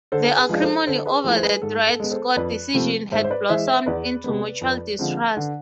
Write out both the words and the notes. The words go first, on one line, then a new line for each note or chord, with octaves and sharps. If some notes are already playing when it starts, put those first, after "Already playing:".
The acrimony over the Dred Scott decision had blossomed into mutual distrust.
D3 A4 C5
G#4 B4
F3 G#3 D4 F4
A4 C5
D3 A4 C5
G#4 B4
F3 A3 E4 G#4 B4
C5
G#4 B4
G#2 A4
A4
G#3 B3
A4 C5
F2 B4 D5
C3 F3 A3 C4
G#2 C5 E5
C5
B4 D5
E3 G#3 C5 E5
C5 E5
E2 B4 D5
C3 G#3 B3
F2
D3 F3 G#3 C4
D3